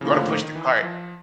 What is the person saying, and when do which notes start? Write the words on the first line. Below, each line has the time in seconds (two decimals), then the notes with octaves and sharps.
You oughta push the cart.
0.01 A2 C#3 F3 A#3
0.14 D3
0.28 D#3
0.42 D#3
0.55 E3
0.83 F3